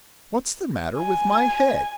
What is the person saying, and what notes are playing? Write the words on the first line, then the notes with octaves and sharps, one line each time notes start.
What's the matter with my head?
G#5